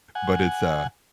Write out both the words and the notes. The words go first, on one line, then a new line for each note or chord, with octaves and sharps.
but it's a
F#5 G#5